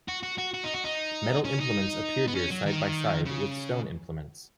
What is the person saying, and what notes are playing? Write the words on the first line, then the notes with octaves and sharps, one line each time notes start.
Metal implements appear here side-by-side with stone implements.
F#4
F#4
F#4
F#4
D#4
F#4
D#4
C#4
D#4
B3
C#4
F#3
D#3
C#3